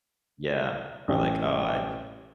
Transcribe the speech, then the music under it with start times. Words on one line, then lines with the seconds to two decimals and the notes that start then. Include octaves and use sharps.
Yeah, or like, oh, I
1.08 A1